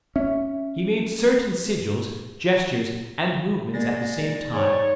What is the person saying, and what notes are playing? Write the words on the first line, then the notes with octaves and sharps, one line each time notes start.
He made certain sigils, gestures and movements at the same time.
C#4 E5
G#3 A#3 D5 A#6
G#2 C#5 G#5